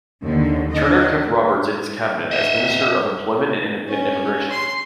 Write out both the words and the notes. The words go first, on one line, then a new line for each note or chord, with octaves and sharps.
Turner kept Roberts in his cabinet as Minister of Employment and Immigration.
D#2 D3
D4 D#5
D#5 E5
C#4
C6